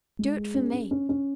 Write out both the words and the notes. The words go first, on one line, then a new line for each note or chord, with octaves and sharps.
Do it for me....
G#3
G#4
C#4
C#4
C#4
C#4